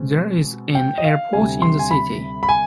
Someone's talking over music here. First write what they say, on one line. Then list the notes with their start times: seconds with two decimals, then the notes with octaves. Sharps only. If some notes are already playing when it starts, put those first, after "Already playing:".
There is an airport in the city.
Already playing: B2 G#3 C4
0.75 G5
0.98 D#5
1.05 F5
1.33 D2 C3 G3 G#5
1.62 C6
1.79 G#5
1.91 B5
2.43 B5
2.49 G#5